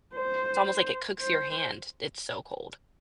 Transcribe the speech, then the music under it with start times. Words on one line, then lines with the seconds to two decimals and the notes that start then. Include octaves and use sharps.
it's almost like it cooks your hand, it's so cold.
0.15 C5
1.20 C5